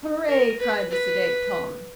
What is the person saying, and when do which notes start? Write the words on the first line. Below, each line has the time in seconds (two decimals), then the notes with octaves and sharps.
"Hooray," cried the sedate Tom.
0.28 A#4
0.59 B4
0.90 B4